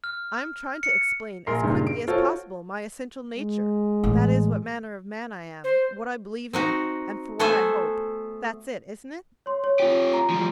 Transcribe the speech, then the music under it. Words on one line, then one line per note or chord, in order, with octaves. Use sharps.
I am trying to explain as quickly as possible my essential nature, that is what manner of man I am, what I believe in, and for what I hope, that's it, isn't it?
F6
C#7
A#1 A#4 C6 C7
C#2 G2 A#2 D#3
D7
F4 F#4 A4 C5 C#5
G#3
A1
C5
C4 D#4 F#4
A3 B3 A4 C5 E5 G#5
C#5 C6
C#5
F4 G4
A#5
F3 G3